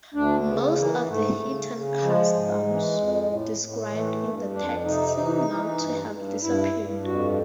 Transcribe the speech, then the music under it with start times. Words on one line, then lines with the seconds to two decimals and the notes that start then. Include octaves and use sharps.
Most of the heathen customs described in the text seem now to have disappeared.
0.14 D2 D4
0.46 C#3 B3
0.77 E3 A#3
1.08 G#2 A3
1.40 C#3
1.71 C#3
2.02 F3 G#3
2.34 G#2
2.65 E3
2.97 F2
3.28 A2
3.59 A2
3.90 E3 A3
4.22 G2
4.53 F2 D4
4.85 C3 D#4
5.17 E3
5.47 E3
5.79 G2
6.11 G2
6.42 G2 E4
6.73 G2
7.04 F2 F#4